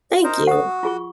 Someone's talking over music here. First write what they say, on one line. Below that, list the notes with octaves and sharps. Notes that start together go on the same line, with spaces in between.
Thank you.
D#4 A#4 C5
F#4 F#5 D#6
F4 G#4 C#6